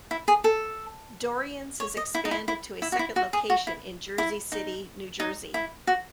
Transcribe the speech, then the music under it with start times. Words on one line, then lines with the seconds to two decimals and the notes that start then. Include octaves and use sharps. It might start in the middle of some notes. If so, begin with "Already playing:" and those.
Dorrian's has expanded to a second location in Jersey City, New Jersey.
0.11 E4
0.28 G#4
0.44 A4
1.80 C#5
1.97 D#5
2.15 E4
2.25 D#4
2.31 E4
2.48 E4
2.82 E4
2.92 F#4
2.99 E4
3.16 F#4
3.33 G#4
3.50 F#4
3.67 E4
4.18 E4
4.52 D#4
5.20 D#4
5.54 E4
5.87 F#4